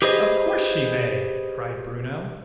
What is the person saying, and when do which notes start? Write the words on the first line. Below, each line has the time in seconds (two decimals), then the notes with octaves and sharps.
"Of course she may!" cried Bruno.
0.02 G4 G#4 B4 C5 D#5